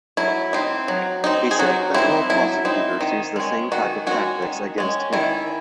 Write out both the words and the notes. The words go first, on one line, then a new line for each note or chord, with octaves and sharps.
He said federal prosecutors used the same type of tactics against him.
F#3 E4
C4 D#4
F#3
C4 D#4
G#4
F#3 F#4
C4 D#4 E4
F#3 E4
C4 D#4
D#3
G#3 C#4
D#3 F#4
G#3 C#4 F#4
D#3
G#3 C#4
D#3 E4